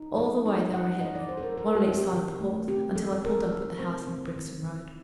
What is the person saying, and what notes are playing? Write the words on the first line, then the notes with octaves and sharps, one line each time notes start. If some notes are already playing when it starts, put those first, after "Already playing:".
All the way they were ahead of me, one on each side of the horse until I pulled up at the house in the Brixton Road.
Already playing: D#4
F#3
D#4
F#3 F#5
D#4 D#5
D5
D#4 C5
A4
A#4
F#3 A#4
G4
C4
G4
D#3
A3
C4 G4
C4 A4
A4
C4 A#4
D#4
C4 C5
C4
D#3
D#3